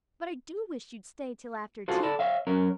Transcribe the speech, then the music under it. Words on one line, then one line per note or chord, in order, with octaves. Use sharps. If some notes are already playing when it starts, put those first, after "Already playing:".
But I do wish you'd stay till after tea.
F4 F#4 G#4 A4 C5
A4 D5 A5 B5
C#5 E5 F5
F#2 C#4 A#4